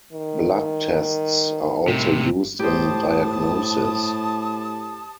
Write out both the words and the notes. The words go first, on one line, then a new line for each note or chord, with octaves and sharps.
Blood tests are also used in diagnosis.
D#3
A2 C3
A2 G4 C5 A5 D#6